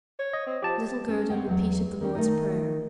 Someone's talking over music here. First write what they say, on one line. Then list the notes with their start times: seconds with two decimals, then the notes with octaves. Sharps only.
Little Gerda repeated the Lord's Prayer.
0.19 C#5
0.33 D#5
0.46 C4
0.62 F3 G4 A5
1.08 C#4
1.30 C4 C#5 F#5 G5
1.47 E2 F#3 F#5
2.01 D#3 C#4 C5 G5
2.15 D#3 A3 D#4